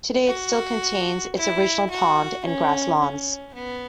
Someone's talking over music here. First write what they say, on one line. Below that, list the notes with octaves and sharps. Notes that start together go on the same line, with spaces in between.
Today it still contains its original pond and grass lawns.
F#4
E4
F#4
C#4
C#4
B3